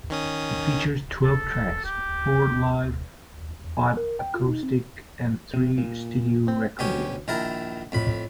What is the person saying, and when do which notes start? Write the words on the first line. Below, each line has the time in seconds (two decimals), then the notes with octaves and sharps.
It features twelve tracks: four live, five acoustic, and three studio recordings.
0.10 D#3 C#4 D#6
1.23 A4
1.84 G4
3.64 E2
3.77 G#5
3.97 A#4
4.19 G5
4.34 F4
4.48 D#4
4.63 C4
5.54 C3
5.78 A#2
6.48 C4
6.79 D2 B2 C#4 G4 C#5
7.28 A#1 D#3 E4 A#4 A5
7.92 F2 A2 B5